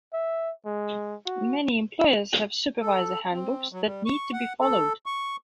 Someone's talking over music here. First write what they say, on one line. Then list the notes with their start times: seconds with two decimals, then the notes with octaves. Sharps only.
Many employers have supervisor handbooks that need to be followed.
0.13 E5
0.65 G#3
1.26 F#4
2.81 A4
3.32 C4
3.72 F#3
3.86 G3
4.06 C#6
4.33 F#5
4.61 A4
5.06 C#6